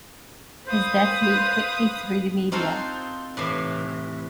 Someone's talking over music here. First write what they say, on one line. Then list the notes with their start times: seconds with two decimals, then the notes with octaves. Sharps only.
His death leaked quickly through the media.
0.66 B4 C5 F5 D#6
2.52 C4 D#4 F4 F#4 A4 C5
3.37 A2 C3 E3